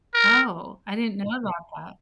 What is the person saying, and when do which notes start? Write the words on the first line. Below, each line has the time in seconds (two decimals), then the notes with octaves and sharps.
Oh, I didn't know about that.
0.14 A#4